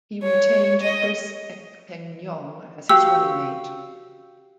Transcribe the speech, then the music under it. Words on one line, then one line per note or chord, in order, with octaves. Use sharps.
He retained Chris Ekpenyong as his running mate.
C#5
D#5
F#4 G4 F5 E6